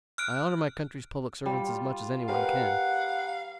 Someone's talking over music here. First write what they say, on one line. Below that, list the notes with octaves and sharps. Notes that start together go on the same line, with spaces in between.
I honor my country's public servants as much as any one can.
F6 F#6 D7
G3 F4
G4 A#4 B4 F5 F#5